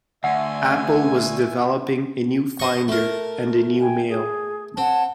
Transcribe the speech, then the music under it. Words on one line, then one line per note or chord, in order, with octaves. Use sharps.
Apple was developing a new Finder and a new Mail.
D2 E5 F#5 G#5
C5 D#5 C#6
A3 A#4
G5 G#5
G#4
C4 C#5 F#5 A5